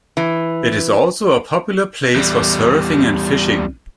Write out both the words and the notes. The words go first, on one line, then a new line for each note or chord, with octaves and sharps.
It is also a popular place for surfing and fishing.
E3
E2 G3